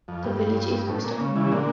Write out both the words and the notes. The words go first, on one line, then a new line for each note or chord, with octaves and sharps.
The village is west of Muri.
F2
G2
A2
A#2
C#3
C#3 E3
A#2 D3